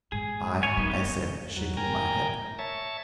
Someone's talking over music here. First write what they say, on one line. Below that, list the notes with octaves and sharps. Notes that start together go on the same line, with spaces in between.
"Aye!" I said, shaking my head.
G#2 G#4
C#5 G#5
F#3 A#3 B3 D#4
A3 G4 C#5
E2 F#3
A#4 G5 G#5 A#5
C#5 E5 A5